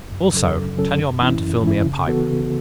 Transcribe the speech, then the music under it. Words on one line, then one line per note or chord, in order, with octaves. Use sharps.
Also, tell your man to fill me a pipe.
F#2
C#3 F#3 C#4 A4
F#2
C#3 F#3 C#4 A4
F#2
E3 C#4 E4
F#2
E3 C#4 E4
C#3
E3 B3 F#4 A4
C#3